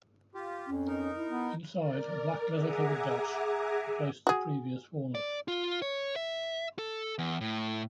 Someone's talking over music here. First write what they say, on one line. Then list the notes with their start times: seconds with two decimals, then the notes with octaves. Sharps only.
Inside, a black leather-covered dash replaced the previous walnut.
0.35 F4 G4
0.67 F2 C#4
0.87 D#4 A#4
1.16 E4
1.29 B3
1.77 A#4 D5
2.50 G#4 E5 F#5 G#5 A#5 D6
4.27 F#4 G#4
5.15 D5
5.48 F4
5.82 C#5
6.16 E5
6.79 A4
7.18 E2
7.41 A2